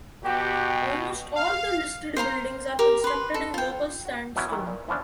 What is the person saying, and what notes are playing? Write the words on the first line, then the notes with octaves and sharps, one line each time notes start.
Almost all the listed buildings are constructed in local sandstone.
B2 F#4 G4 G5
F5
C5 F5 A#5 C6
G4 A#4
B4 C6
A4
F4 G5
F#4
B2 E3 F#3 B3 C#4 E4
D#3 E3
A#2
E3 F3 B3 C#4 D4